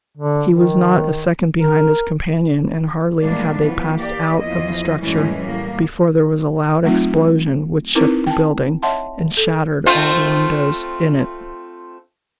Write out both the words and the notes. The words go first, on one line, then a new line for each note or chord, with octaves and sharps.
He was not a second behind his companion, and hardly had they passed out of the structure before there was a loud explosion which shook the building, and shattered all the windows in it.
D3
D#3
A#4
A2 G3 G#3 A#3 D4
E3 F3 B3
A#3 G4 D5
E2 F3 E4 D#5
F#2 A2 E3 G3 G#3 C#4
A2 G3 A#3
F#3 A3 C4 D#4 F4
C4 D#4 E4 A#4 B4
G5 A5
C#5 D#5 E5 F#5 A5 C6
A4
A3 C4 F4